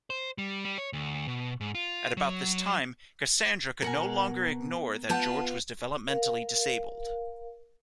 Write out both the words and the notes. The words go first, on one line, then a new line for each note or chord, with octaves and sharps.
At about this time Cassandra could no longer ignore that George was developmentally disabled.
C5
G3
G3
C#5
D2
B2
G#2
F4
F#3
B2 A#4 F#5 G#5
B3 F4 F#5 A5 G6
A#4 F5